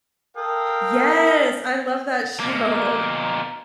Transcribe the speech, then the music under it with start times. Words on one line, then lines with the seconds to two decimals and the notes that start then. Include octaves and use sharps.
Yes! I love that show.
0.37 A4 A#4 F5 G5 D#6
2.40 B2 A#3